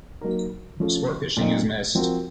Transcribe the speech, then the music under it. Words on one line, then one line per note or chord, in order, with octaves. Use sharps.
Sportfishing is missed.
F#3 A#3 D#4 A#4
F3 A3 C#4 F4 A4
A#2 A3 C4 D#4
F3 C4 F#4 A#4